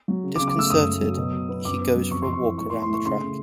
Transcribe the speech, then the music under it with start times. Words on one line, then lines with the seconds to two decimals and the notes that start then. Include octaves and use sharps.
Disconcerted, he goes for a walk around the track.
0.08 F#3
0.24 C#3
0.35 D6
0.39 C#3
0.48 D6
0.55 A3 E6
0.70 F#2 D#6
0.86 A3
1.02 F#3
1.17 B2
1.33 B2
1.49 B3
1.65 F#2 D6
1.80 B3
1.95 F#3
2.11 F2 C#6
2.22 F2 C6
2.33 C#6
2.43 E3
2.58 A2 C#6
2.70 C6
2.73 A2
2.82 C6
2.89 A3 C#6
3.05 C#3 C6
3.20 C#3